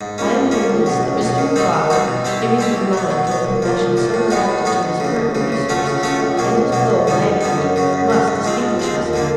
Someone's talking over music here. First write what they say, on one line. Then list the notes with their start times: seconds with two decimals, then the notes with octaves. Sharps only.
I am convinced that Mr. Micawber, giving his mind to a profession so adapted to his fertile resources, and his flow of language, must distinguish himself.
0.01 G#2
0.18 F3 A#3 C#4
0.35 G#2
0.51 F3 A#3 C#4
0.69 C#2
0.86 B2 F#3
1.03 C#2
1.21 B2 F#3
1.38 D#3
1.56 G3 C4 D#4 F#4
1.73 D#3
1.90 G3 C4 D#4 F#4
2.07 B2
2.25 G3 C4 E4 G4
2.42 B2
2.59 G3 C4 E4 G4
2.76 B2
2.93 F#3 B3
3.11 B2
3.27 F#3 B3
3.44 C2
3.62 A#2 F3
3.79 C2
3.97 A#2 F3
4.14 A2
4.30 F#3 B3 D#4 F#4
4.49 A2
4.65 F#3 B3 D#4 F#4
4.83 D2
5.00 C#3 E3
5.17 D2
5.35 C#3 E3
5.52 C#3
5.69 F3 A3 C#4 F#4
5.86 C#3
6.03 F3 A3 C#4 F#4
6.20 C#2
6.38 B2 F#3 A#3
6.55 C#2
6.72 B2 F#3 A#3
6.90 F2
7.07 D3 G3 B3 D#4
7.23 F2
7.41 D3 G3 B3 D#4
7.58 F#2
7.76 C#3 F#3
7.93 F#2
8.10 C#3 F#3
8.28 G#2
8.45 F3 G#3 C4
8.62 G#2
8.79 F3 G#3 C4
8.96 D#2
9.14 D3 F3 A#3